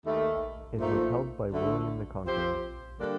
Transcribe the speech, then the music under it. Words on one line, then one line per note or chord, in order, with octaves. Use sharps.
It was held by William the Conqueror.
D#2 D#3 A3
A#2 F3 A3 D#4
D2 D3 A3
F3 C4 G4 C5
D3 G3 A#3 D4 A4